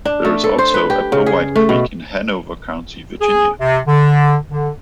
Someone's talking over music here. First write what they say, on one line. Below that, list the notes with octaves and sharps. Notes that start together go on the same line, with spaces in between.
There is also a Powhite Creek in Hanover County, Virginia.
D4
A3
A4
C5
B4
G4
C#3
G#4
A3
B2
G#4
C3
D3
D3